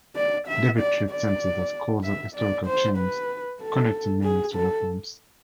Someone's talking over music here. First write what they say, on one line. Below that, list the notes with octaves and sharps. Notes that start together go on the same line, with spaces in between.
Devitt treats senses as causal-historical chains connecting names to referents.
D5
E5
D5
D5
E5
D5
C5
B4
A4
G#4
A4